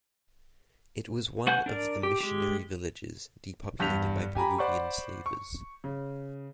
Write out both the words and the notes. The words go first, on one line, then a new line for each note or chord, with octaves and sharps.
It was one of the missionary villages depopulated by Peruvian slavers.
F#4 B4 F#5 G#5 G6
D4 A#4 D5
G4
G#3 G4
E2 G2 G6 B6 F7
G4 G#5 A#5 B5
C5 D5 F#5 B5 C#6
C#6
C#3